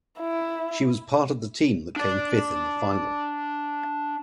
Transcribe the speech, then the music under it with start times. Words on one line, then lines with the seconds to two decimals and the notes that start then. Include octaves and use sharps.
She was part of the team that came fifth in the final.
0.20 E4
1.96 D4 D5